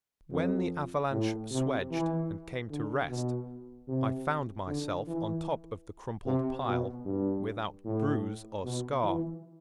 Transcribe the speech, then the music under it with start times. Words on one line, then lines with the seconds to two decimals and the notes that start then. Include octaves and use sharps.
When the avalanche swedged and came to rest I found myself on top of the crumpled pile without bruise or scar.
0.31 F2
1.11 A2
1.51 C3
1.90 E3
2.70 D3
3.08 B2
3.88 C3
4.67 D3
5.07 E3
6.25 C3
6.66 B2
7.05 G2
7.85 A2
8.64 B2
9.03 E3